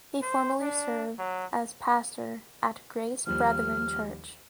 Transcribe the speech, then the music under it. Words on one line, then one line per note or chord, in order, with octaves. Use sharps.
He formerly served as pastor at Grace Brethren Church.
C5
D4
F#3
D#2 F3 G3 F6